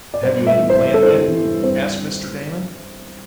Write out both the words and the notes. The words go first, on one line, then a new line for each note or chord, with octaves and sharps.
"Have you any plan, then?" asked Mr. Damon.
D5
G2 C5
A3 E5
E3
C5
G2
E4 A4
C5
G3 A4
E3
G2
C4 C5